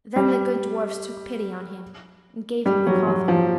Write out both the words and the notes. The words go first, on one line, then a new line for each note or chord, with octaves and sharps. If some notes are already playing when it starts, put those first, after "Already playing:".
Then the good dwarfs took pity on him, and gave him the coffin.
G3
G3
F#3
F#3
F3